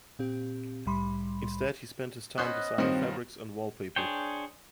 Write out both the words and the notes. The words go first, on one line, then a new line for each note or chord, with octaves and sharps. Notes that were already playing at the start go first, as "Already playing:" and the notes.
Instead he spent his time designing fabrics and wallpaper.
A#2 C4 G4
C2 A2 G3 B5 C6
B3 C#4 C5 D#5 F#6
G2 D#3 F3 F#3 C4
D4 G#4 C5 C#5 G5